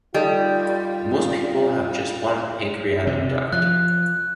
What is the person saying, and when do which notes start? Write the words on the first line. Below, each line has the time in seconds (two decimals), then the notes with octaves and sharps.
Most people have just one pancreatic duct.
0.14 G3 D#4 F4 A4 D#5
3.07 C3
3.52 F3 F#6